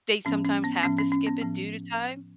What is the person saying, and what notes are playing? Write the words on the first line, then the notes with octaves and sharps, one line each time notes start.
they sometimes have to skip it due to time.
A2 F3 B3 C#4
C#4
B3
A2 F3 B3 C#4
C#4
C#4
B3
A2 F3 B3